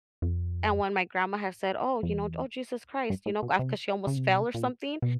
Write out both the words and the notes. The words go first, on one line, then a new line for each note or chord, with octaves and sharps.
and when my grandma had said, "Oh, you know, d oh, Jesus Christ," you know, ga 'cause she almost fell or something,
F2
F2
E2
G2
A2
B2
C3
C#3
C3
B2
C3
A#2
B2